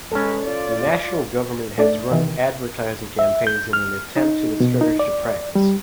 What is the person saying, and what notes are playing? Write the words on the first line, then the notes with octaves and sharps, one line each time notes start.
The national government has run advertising campaigns in an attempt to discourage the practice.
G#3 C#4 A4 B4
F4 D5
A3 D4 D5
C3 D#3 E3
E5
G6
F6
D#4
B2
D#4
D5
G3